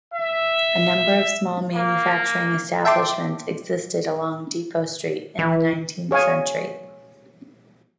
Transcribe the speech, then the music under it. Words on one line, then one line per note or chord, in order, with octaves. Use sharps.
A number of small manufacturing establishments existed along Depot Street in the nineteenth century.
E5
A#3
E5 G5 A5 C6 D6
E3
G#4 C#5 F5 G#5